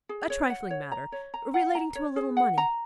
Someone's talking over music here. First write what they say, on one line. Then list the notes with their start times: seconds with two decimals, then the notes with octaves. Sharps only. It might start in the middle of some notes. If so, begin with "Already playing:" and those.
A trifling matter, relating to a little money.
0.09 G#4
0.30 C#5
0.50 F#5
0.70 C#5
0.92 A#5
1.12 C#5
1.34 A#5
1.54 F#5
1.75 A#5
1.95 C#5
2.16 G#4
2.37 F#5
2.58 A#5